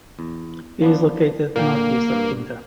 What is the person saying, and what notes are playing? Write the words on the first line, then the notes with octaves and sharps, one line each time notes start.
It is located northeast of Kinta.
E2
F3 B3 D4
A#2 D3 A#3 G5
G2